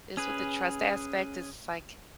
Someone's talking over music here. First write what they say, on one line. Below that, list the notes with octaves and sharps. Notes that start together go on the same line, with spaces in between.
it's with the trust aspect, it's like
C#4 G#4 B4